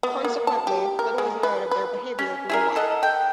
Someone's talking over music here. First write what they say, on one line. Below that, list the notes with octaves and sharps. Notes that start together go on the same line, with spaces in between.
Consequently, little is known of their behaviour in the wild.
B3
A#3
A5
G4
A#4
G#3
B4
B4
C#4
E4 G#4 A#4
A4 D#5 F#5
G5